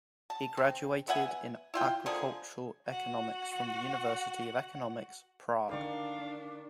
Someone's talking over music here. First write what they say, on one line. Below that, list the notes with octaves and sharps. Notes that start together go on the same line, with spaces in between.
He graduated in agricultural economics from the University of Economics, Prague.
A5
C4
B3 E5 F#5 G#5
E4 F4 G5
D3 F3 A#3 G#4
F#4 F#5
D3 D#3 D4 A#4 D5 F5 C#6